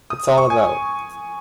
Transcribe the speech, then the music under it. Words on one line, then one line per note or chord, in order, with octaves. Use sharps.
It's all about.
D#6
C#6
G#5